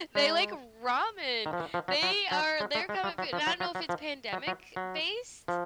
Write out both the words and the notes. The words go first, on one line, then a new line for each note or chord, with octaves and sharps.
They like ramen, they are their comfort foo and I don't know if it's pandemic-based,
G#3
D#3
F3
E3
F3
F#3
F#3
F#3
G#3
A3
G#3
G3
F#3
F3
F#3
F#3
F#3
F3
F#3
F#3
F#3
F3